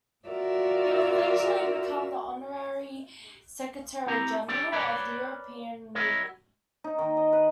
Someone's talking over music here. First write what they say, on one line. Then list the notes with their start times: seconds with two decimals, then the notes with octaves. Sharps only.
He would eventually become the Honorary Secretary General of the European Movement.
0.28 F4 F#4 A#4 D5 E5
4.06 C4 E4 G4 A#5
4.48 D4 G4 A4 D5 G5
4.72 A#4 B4 C#5 D5 G5 B5
5.95 E4 A#4 C#5 D#5
6.84 D#4
6.98 D#3
7.17 D#5
7.33 B4